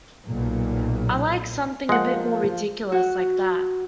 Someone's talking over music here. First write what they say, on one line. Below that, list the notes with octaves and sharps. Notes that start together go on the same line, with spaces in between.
I liked something a bit more ridiculous like that.
B1 A#2
F3 G#3 A#3 F#5
F#4